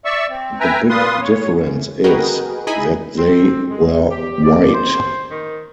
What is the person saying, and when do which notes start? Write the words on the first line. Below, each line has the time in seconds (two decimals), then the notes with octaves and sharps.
The big difference is that they were white.
0.05 D5 E5 C#6 E6
0.30 C4
0.60 B4 E5 G5 G#5 A#5
0.89 A#2 F4 B4 C6 D#6
1.21 C#5
1.56 F#2
2.04 F#4 G#4 A#4 B4 D#5 G5
2.67 D#4 E4 G#4 D#5 G#5 B5
3.18 C4
3.69 G#3
4.10 G4
4.44 D5
4.74 C5
5.31 D#3